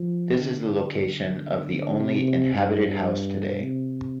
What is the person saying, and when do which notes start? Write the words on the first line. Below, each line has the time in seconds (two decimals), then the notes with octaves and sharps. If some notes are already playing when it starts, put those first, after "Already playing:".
This is the location of the only inhabited house today.
Already playing: F3
0.38 D3
2.01 C3
2.55 G2
3.62 C3